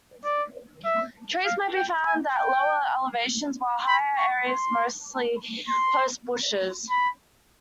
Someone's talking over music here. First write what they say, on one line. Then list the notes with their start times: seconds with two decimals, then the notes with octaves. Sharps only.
Trees may be found at lower elevations, while higher areas mostly host bushes.
0.25 D5
0.85 E5
1.45 F5
1.76 G5
2.06 G#5
2.36 G5
3.88 B5
4.18 C#6
4.48 C6
5.69 C6
6.90 B5